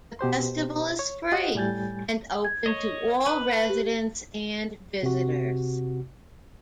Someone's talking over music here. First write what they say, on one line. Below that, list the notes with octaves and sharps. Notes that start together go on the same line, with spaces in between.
The festival is free and open to all residents and visitors.
B2 G4 C5 C6
C#5
F4 G4 D#5 F#5
A2 G3 G#5 G6 A6
G#6
C#5 D#5
B4
G4
C3 F#4